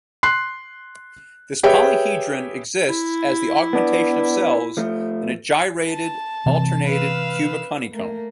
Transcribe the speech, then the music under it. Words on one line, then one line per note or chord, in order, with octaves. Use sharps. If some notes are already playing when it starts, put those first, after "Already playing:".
This polyhedron exists as the augmentation of cells in a gyrated alternated cubic honeycomb.
C6 F#6 C7
G4 G#4 B4 C#5 E5 G5
E4
B3 D4
F3 A3
A5
C3 E3 C4
B4 F5 E6
A3 A#3